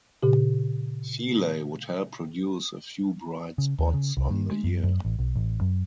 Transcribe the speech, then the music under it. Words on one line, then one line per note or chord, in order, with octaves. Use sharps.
Feeley would help produce a few bright spots on the year.
A#2 C#3 G4
C#3
D#2
C#3
C2
G2
G#3
F#2
F#2
A1
B1
A1
F#2